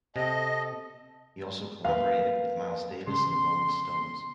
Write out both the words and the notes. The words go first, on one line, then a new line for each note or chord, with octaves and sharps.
He also collaborated with Miles Davis and the Rolling Stones.
C3 A4 D#5
A#3 B4 F5
C#3 C6